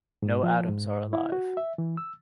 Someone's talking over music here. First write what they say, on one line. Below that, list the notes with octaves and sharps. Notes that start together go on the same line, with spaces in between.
No atoms are alive.
G#2
F3
G#2
E4
F#4
E5
E3
E6